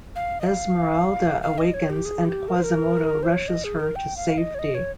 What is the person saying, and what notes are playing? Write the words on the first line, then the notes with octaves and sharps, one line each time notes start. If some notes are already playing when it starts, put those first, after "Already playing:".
Esmeralda awakens and Quasimodo rushes her to safety.
F5
D#5
F5
F5
D#5
C#5
G4
G#4
G4
A#4
C5
A#4
C5
C#5
D#5
G#4
A#4
G5
F5
D#5
C#5
D#5
C#5